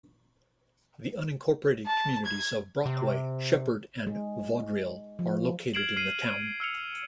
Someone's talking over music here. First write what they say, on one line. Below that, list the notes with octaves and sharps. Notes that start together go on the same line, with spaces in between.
The unincorporated communities of Brockway, Sheppard, and Vaudreuil are located in the town.
A5
G#6
C3
G#3
F3
F6 G#6 C7 D7 E7 F#7
F6 C7 D#7
D#7
E6 F6 C#7 F7